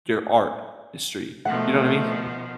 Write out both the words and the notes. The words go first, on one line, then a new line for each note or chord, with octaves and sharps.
your art history, you know what I mean?
B2 D#3 F3 A3 F#5